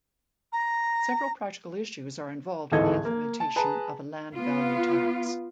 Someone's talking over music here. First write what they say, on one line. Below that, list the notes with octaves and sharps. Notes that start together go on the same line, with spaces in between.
Several practical issues are involved in the implementation of a land value tax.
A#5
D1 G#2 E3 A4 D#5 G#6
A#3
A5
G#4 B4 A5 A#5
B3 F4